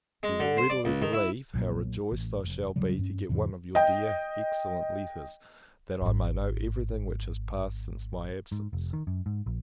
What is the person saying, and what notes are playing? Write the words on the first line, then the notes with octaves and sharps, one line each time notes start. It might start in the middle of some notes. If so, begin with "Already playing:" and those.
You will readily believe, how rejoiced I shall be to get one of your dear, excellent letters, that I may know every thing which has passed since my absence.
G#3
D3
C5
D5
C#2
D#3
E4
B1 A#2 F#3
A1
F1
D1 C#3 F#3 G3
G2 C#4
E2 G#2 C3 E3
D#5 G5
G#1 G#2
G#2
F1
D#3
F#2
G#2
A#1